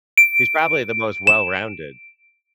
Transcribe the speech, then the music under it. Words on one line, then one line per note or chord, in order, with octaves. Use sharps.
He's probably the most well-rounded
D7
E7